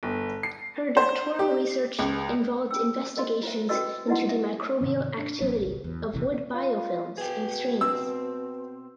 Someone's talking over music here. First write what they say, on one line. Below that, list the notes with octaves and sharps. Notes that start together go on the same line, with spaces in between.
Her doctoral research involved investigations into the microbial activity of wood biofilms in streams.
G1
C7
C5
G4
C#2
C#4 E6
A#4 C5 D#5 F5 C6
F4 C5 E5
C#4 F#4 A4 B4 D#5 E6
D#4 E4 B4 D#5 F#5 C6
E5
G#2 C3 D#3 C4
D4
A1 F#3 B3 C#4
G#1 C#2
E2
F1 A#1 C3 E3
F4
B2 G#4 G5
C4 E6